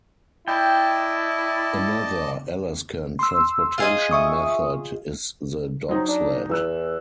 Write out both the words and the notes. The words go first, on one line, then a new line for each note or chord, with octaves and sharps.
Another Alaskan transportation method is the dogsled.
E4 D5 D#5 G5 A5
C6 E6
F4 G#4 D#5
E5 C#6 D#6
F#3 C4 D#4
D4
E2 E3 E6 F#6